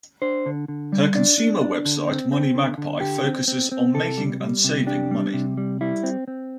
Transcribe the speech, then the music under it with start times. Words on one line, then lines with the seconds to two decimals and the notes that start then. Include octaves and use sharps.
Her consumer website Moneymagpie focuses on making and saving money.
0.22 D4 C5
0.46 D3
0.68 D3
0.92 G3
1.15 D4 D5
1.38 D4
1.61 D4
1.85 D3
2.08 C4
2.32 C4
2.55 D3
2.78 D3
3.01 D3 G4
3.25 C4
3.48 C4
3.72 C4
3.94 C3 A4
4.17 G3
4.40 G3
4.64 C3
4.87 D4 G4
5.11 G3
5.34 C3
5.57 G3
5.81 G3 E4
6.03 C4
6.28 C4